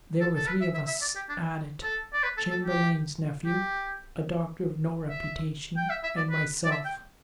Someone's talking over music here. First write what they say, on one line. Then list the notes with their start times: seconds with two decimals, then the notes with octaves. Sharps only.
There were three of us at it: Chamberlayne's nephew; a doctor of no reputation; and myself.
0.21 A4
0.35 A4
0.48 B4
0.61 E5
0.74 E5
0.88 E5
1.02 D5
1.16 G4
1.29 D4
1.83 A4
2.13 D5
2.23 B4
2.37 A4
2.51 A4
2.64 G4
3.46 G4
5.09 E5
5.77 G5
5.90 E5
6.03 E5
6.17 D5
6.31 B4
6.65 D5
6.71 E5
6.85 G5